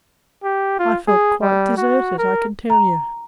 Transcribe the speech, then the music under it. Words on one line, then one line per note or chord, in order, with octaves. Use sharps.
I felt quite deserted, I can tell you.'
G4
F4
G#4
G3
F#4
A#4
A#5